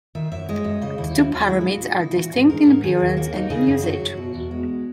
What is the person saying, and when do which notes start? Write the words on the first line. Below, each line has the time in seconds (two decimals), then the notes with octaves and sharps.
The two pyramids are distinct in appearance and in usage.
0.15 D#3 E5
0.32 F#2 E5
0.49 G#3 D#5
0.64 F#2 E5
0.82 C#3 D#5
0.98 D#2 E4
1.15 F#3 E4
1.31 D#2 F#4
1.48 G#3 E4
1.61 G#4
1.65 A#2 F#4
1.83 D#4 F#4
1.99 A#2 E4
2.16 E3 F#4
2.33 G#2
2.50 G#3 A#4
2.66 G#2
2.84 D#3 G#4
3.00 D#2
3.17 A#3 F#4
3.33 D#4
3.50 C#3 G#4
3.67 F#2
3.83 F#3 F#4
4.01 F#2
4.17 B2
4.34 E2
4.51 G#3